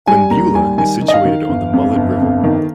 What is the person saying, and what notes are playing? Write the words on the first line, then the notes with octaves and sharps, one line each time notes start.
Glenbeulah is situated on the Mullet River.
G3 G#5
D#2 A#5
G3 G#5
D#3 G#5
D#3
D#5
F5
D#3
G1
F2
G1
F2
D#3